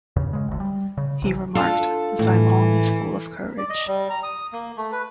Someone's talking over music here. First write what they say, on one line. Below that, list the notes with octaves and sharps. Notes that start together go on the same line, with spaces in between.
He remarked, Zilong is full of courage.
E2 G2 C#3
C#3 G#3
F#1 D2
G3
C#3
B1 C3 E3
D4 F4 A4
A2 E3
D5
D#5
G3
A#5
D#6
A#3
A3
B4